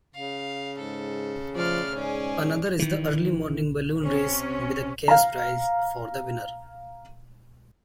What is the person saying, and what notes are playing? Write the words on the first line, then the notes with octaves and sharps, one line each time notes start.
Another is the early morning balloon race with a cash prize for the winner.
C#3 F5
G#2 A4
F3 A3 D5 C6 F6
G#2 C#4 G#4 D5
D#3 E3
C3 C#4
F5 A#5